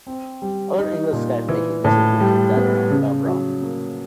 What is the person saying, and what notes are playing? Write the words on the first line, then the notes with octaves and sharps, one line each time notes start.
Other English scythe-making districts include that around Belbroughton.
C4
G3
D#4
A#2
E3
A2
G3
B3
C#3
F#3
A#3